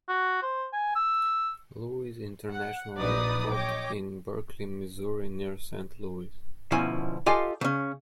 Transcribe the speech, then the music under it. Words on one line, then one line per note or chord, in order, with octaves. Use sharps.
Louis International Airport, in Berkeley, Missouri, near Saint Louis.
F#4
C5
G#5
E6
F#5
A#1 F#3 D#4 B4 D5 D#6
C#5 D#5 G5 D6
D2 B2 F3 C#4 E4 G#5
F4 G4 A4 D#5 F5 G#5
C#3 C#4